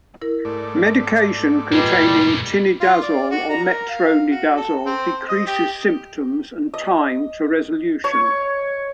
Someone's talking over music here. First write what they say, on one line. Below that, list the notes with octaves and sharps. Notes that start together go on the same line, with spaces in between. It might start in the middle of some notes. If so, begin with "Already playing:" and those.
Medication containing tinidazole or metronidazole decreases symptoms and time to resolution.
E4 A#4
G#2 A3 D5
A#2 G3 G#3 F4 B4 D#5
F4
D5
F#4
A#5
A#4
F5
F#4
A4
C4
D#5
G4
D#5
C#5